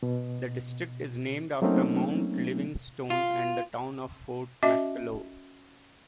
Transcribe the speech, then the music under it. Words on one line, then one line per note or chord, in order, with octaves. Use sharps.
The district is named after Mount Livingstone and the town of Fort Macleod.
B2
F#3 A3 A#3 C4 C#4 D#4
F4
C#4 F#4 D#5 E5